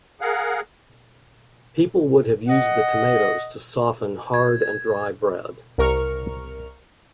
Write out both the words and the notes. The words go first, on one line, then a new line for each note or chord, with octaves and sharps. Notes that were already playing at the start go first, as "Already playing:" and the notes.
People would have used the tomatoes to soften hard and dry bread.
G#4 A#4 F5 F#5
D#5 F#5
G#6
G#6
C2 A#4 C#6 F6